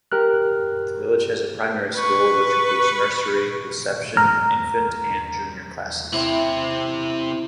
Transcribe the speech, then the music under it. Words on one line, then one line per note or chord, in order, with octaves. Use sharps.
The village has a primary school which includes nursery, reception, infant and junior classes.
G4 A#4 F6 F#6
B4 C#6
A#5 F6
C3 C4 E4